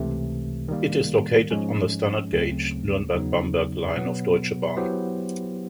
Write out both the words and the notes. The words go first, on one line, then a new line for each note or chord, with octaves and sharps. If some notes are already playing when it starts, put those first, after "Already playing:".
It is located on the standard gauge Nuremberg–Bamberg line of Deutsche Bahn.
Already playing: C#2 C3 E3 A3
D#3 G3 A#3
G#2 F3 G#3 C#4
D2 C#3 F#3 A3 C4
E2 C#3 F#3 B3 D#4
B2 F#3 B3
F#3 B3 E4 G4 C5